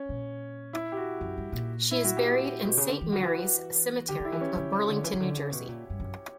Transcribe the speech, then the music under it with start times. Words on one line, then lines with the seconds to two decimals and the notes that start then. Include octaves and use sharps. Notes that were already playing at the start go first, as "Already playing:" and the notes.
She is buried in Saint Mary's Cemetery of Burlington, New Jersey.
Already playing: C#4
0.09 A#2
0.73 E4
0.92 G4
0.97 F#4
1.21 F#2
1.38 G2
1.52 A#2
1.91 E4
2.05 F#4
2.17 G4
2.65 B2
2.77 C#3
2.89 D3
3.01 E3
3.12 D3 F#4
3.23 E3
4.08 D3 G4
4.20 D3 E4
4.32 E3
4.41 C#4
4.56 D3
4.72 C#3
4.89 D3
5.04 E3
5.13 C#3
5.20 D3
5.37 C#3
5.52 B2
5.68 A#2
5.90 G2
6.00 F#2